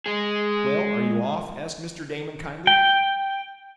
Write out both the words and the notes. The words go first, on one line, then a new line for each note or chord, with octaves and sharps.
"Well, are you off?" asked Mr. Damon, kindly.
G#3 G#4
G5